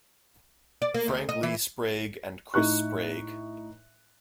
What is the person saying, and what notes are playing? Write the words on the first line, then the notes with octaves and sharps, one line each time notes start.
Frank Lee Sprague and Chris Sprague.
D5
A#3
D2
D#5
E3
A2 D#4 C#6 F#6